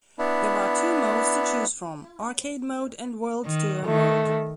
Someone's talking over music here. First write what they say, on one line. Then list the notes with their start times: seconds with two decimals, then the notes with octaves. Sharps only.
There are two modes to choose from: Arcade Mode and World Tour mode.
0.19 B3 D4 E4
3.45 D#3
3.86 D#3 A3